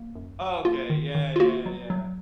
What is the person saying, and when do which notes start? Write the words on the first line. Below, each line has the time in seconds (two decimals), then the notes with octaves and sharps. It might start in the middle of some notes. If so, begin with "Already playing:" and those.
Okay, yeah, yeah, yeah.
Already playing: A#3
0.15 F#2
0.41 F#3
0.65 A#3 F4
0.90 D#3
1.15 D#3
1.36 F4
1.40 A#3 F#4
1.66 F#3
1.90 F#3